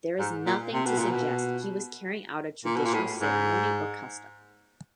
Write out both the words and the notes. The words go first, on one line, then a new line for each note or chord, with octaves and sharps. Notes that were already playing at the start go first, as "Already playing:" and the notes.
There is nothing to suggest he was carrying out a traditional ceremony or custom.
G#2
A#2
C3
B2
A#2
B2
A#2
B2
A#2
A2
G#2